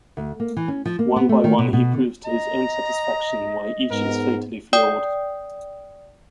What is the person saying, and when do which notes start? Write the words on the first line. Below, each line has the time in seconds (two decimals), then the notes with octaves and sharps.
One by one he proves to his own satisfaction why each is fatally flawed.
0.17 D2
0.40 A#3
0.57 E3
0.68 C#4
0.86 F3
0.99 A#3
1.16 B3
1.29 A3
1.44 D#3
1.58 B2
1.73 B2
1.93 D3
2.25 D#5 A#5
3.91 G#2 B3 A#4
4.73 D5 G5 D#6